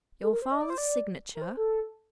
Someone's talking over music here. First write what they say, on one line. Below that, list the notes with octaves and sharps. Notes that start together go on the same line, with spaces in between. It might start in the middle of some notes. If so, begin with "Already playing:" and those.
"Your father's signature?"
A4
A#4
C5
D#5
D5
C5
D5
A#4
C5
A4